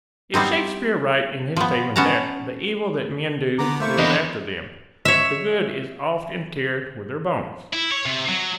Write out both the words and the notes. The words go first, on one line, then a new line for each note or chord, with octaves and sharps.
Is Shakespeare right in his statement that "The evil that men do lives after them; the good is oft interred with their bones"?
G3 B3 C4 D#4
F3 B3
B3 C#4 F#5 A5 A#5
D3 B3 A#5 D6
A3 A#3 E4 C5 C#6
E2 D4 D#5 F#5 B5
C#5 E5
E4
C#5
C3
F#3